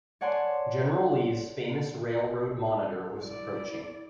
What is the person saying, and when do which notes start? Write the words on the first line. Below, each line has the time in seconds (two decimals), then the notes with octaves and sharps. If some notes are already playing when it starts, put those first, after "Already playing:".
General Lee's famous railroad monitor was approaching.
0.21 C#5 D5 F#5 G#5 A5 C6
3.19 E4 D5